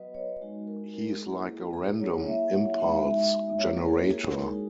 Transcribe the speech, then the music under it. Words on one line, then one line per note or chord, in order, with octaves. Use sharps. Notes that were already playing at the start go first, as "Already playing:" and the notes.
He's like a random impulse generator.
Already playing: F#3 B3 F#4 B4 D#5
C#5
G#3 D#4 F#4
A#4
A#4
A#3 E4 G#4
G#4
G#4
F#3 A#3 E4 C#5
E5
F#5
G#3 B3 D#4 F#4 E5
A#3 E4 C#5
A#4
G#4
G#3 D#4 F#4 A#4